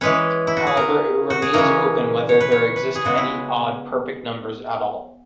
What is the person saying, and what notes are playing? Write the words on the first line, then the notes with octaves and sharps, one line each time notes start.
However, it remains open whether there exist any odd perfect numbers at all.
E3 G#3 C#4 B4
E4
F#4
G#4
A#4
F#4
G#4
C#3 E3 G#3 C#4 A#4
C#5
B4
C#5
B4
G#4
C#3 G#3 B3 F#4
E4